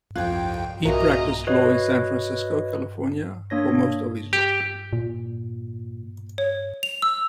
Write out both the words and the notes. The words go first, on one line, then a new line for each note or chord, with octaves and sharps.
He practiced law in San Francisco, California for most of his life.
C2 F2 F4 G5 F#6 G#6
B1 A#2 C#3 F#4 A#4 D#5 E5 A#5
F#4 B4 C#5 D#5
A#3 D4 C#5 A#6
G4
A#2
C#5
F7
E6